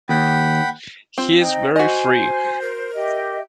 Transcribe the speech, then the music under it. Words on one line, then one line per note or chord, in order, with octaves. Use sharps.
He's very free.
D#2 F#5 G5 B5
C4 F4
D#4 D#5 G5
F#4 C5 D#5 G#5
A#4
G4 D#5 E5